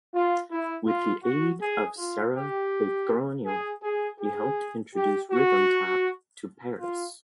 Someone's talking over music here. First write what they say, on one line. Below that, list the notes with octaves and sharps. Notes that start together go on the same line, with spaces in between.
With the aid of Sarah Petronio, he helped introduce rhythm tap to Paris.
F4
E4
F4
F#4
G#4
F4
G4
G#4
G#4
G#4
G4
F#4
F4